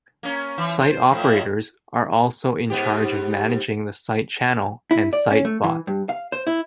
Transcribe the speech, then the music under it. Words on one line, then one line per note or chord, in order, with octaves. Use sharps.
Site operators are also in charge of managing the site channel, and sitebot.
A#3 C#4
E3
C5
F2 A2 F3
G#2 B3 G4
E4
D5
C#4
A3
E3
G2
F5
C5
E4